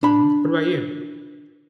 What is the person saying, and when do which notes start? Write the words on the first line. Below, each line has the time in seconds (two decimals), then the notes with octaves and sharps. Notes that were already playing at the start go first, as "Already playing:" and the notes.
Mhm. What about you?
0.03 D4 B5